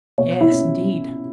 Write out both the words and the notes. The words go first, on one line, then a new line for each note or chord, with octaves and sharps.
"Yes, indeed."
B2 C#5
E4
C#4